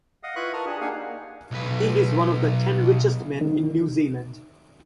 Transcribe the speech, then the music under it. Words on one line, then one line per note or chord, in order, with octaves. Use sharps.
He is one of the ten richest men in New Zealand.
D#5 F5 F#5 D#6
E4 F4 B4 B5 C#6 F#6
A#4 A5 C#6 D#6 F6
D4 G4 G#4
A#3 D4 D#4 F5 F#5 G#5
B1 B4
D#3